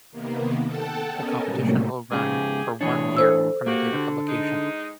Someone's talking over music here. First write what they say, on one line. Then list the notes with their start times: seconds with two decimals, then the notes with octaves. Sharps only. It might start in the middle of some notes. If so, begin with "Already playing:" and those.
The competition will run for one year from the date of publication.
0.12 C3 D#3 A#3 B3
0.64 A4 F#5 G5 A5
1.10 B3 C#4 A4 A#4 D#5 G#5
1.44 A2 C3 F#3 G3 A3 A#3
2.11 G#2 C#3 G4 G#4
2.81 A2 E3 D4 G#4 C#5
3.17 A4 C5 E6
3.66 A#3 F#4 G4
3.93 D3
4.28 G#3 D#4